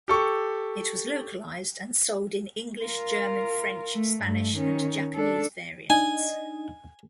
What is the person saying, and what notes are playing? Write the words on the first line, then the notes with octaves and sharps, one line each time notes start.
It was localized and sold in English, German, French, Spanish and Japanese variants.
G4 A4 C#6
F4 A#4
A3
G2 A3
D#3 C#4
D4 A4
D4 D#4 D#5 G#5